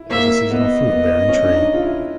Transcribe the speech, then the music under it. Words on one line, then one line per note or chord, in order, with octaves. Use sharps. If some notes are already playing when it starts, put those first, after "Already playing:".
It is a seasonal fruit bearing tree.
Already playing: E4
A#3 E5
B3 D#5
B3
C#4
D4
D#4
F4
E4